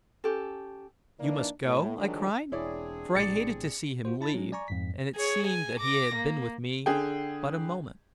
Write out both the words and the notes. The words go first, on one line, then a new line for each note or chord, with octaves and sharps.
"You must go?" I cried, for I hated to see him leave and it seemed that he had been with me but a moment.
C#4 G4 A4
E3 A#3 D4 D#4 D5
A2
D3 D#3 F3 F#3 G#3 D4
E1 C4 D4 E4 G#4 C#5 D5
A#1 A2 C3 D5 A6 C#7
F4 F#4 C5
E4 A5 B5 A6
F#3 G#3 C#4
D5 G#5 A#5 C#6
F2 G#2 B6
G#4 C#5
G#5
D6 A#6
A#3
D3 G#4 G5